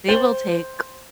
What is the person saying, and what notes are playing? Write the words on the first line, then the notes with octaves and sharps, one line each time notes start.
they will take
C5 G5 A6 F#7 G7